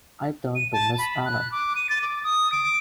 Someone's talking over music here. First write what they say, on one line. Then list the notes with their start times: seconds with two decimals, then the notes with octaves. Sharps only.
I turned to Miss Allen.
0.55 D#7
0.73 A5
0.98 B5
1.25 F#6
1.52 D6
1.76 D#7
1.89 A6
2.02 D6
2.24 D#6
2.52 D7